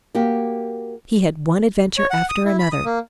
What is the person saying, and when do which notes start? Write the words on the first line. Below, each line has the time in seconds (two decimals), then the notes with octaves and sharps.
He had one adventure after another.
0.15 A#3 F#4 G4
1.98 C#5
2.10 F#5
2.29 D#6
2.45 E4
2.59 B5
2.72 D#6
2.85 A#3